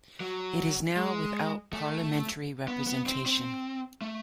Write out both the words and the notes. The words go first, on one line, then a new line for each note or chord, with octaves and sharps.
It is now without parliamentary representation.
F#3
G#3
A3
B3
B3
C4
C4
A3